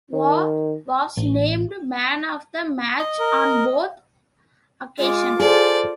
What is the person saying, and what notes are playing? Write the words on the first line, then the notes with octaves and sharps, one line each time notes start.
Waugh was named man of the match on both occasions.
D#3
A1
D#5
A#4
G#3 F4 D6
G#4 A4 C5 D5